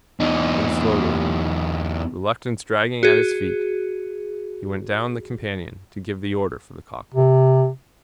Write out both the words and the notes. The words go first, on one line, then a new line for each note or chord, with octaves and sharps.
Then slowly, reluctance dragging at his feet, he went down the companion to give the order for the cock-boat.
E2 D#4
F#4 G#4
C3